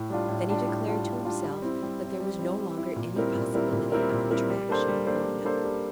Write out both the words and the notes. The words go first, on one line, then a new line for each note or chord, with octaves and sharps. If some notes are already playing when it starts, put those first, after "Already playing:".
Then he declared to himself that there was no longer any possibility of retractation for him.
Already playing: A2
G3 D4 F4
A2
G3 D4 F4
A2
G3 D4 F4
A2
G3 D4 F4
G3
C4 E4
G3
C4 E4
G3
C4 E4
G3
C4 E4
A#2
G3 C4 E4 A#4
A#2
G3 C4 E4 A#4
A#2
G3 C4 E4 A#4
A#2
G3 C4 E4 A#4
G3
A#3 D4 A4 C5
G3
A#3 D4 A4 C5
G3
A#3 D4 A4 C5
G3